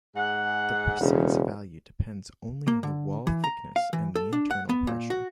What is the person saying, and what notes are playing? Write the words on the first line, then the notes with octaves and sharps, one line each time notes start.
The precise value depends only on the wall thickness and the internal pressure.
G#2 G#4 F#5
E1 D2 C#3
A#3
D3
E3
A#5
F5
E3
A4
D4
F#5
B3
A#2
F#4